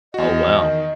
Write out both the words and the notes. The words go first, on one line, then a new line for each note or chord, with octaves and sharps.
Oh, wow.
E2 F#4 D#5
D#3